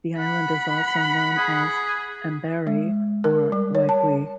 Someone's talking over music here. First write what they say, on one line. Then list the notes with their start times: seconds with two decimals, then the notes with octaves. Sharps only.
The island is also known as Amberi, or Waigiu.
0.19 F#5 B5
1.38 G#4
2.67 G#3
3.24 A#4
3.52 G3
3.75 C#5
3.89 A5